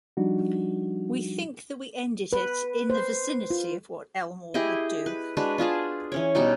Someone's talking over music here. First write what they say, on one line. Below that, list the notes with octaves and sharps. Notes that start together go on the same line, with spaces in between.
We think that we ended it in the vicinity of what Elmore would do.
F3 G3 D4 D#4 F#4
B4
C5
F4
E4 G4 G#4 D#5
B4
G#3 D4 F#4 B4
D4 F4 G#4 A5
E3 C#4 C#5
B2 G3 D#4 F#4